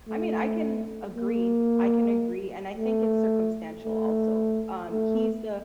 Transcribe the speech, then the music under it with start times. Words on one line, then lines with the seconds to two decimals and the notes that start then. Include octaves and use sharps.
I mean, I can agree, I can agree, and I think it's circumstantial, also, um, he's the
0.08 A3
1.16 A#3
2.77 A3
3.84 A3
4.92 A3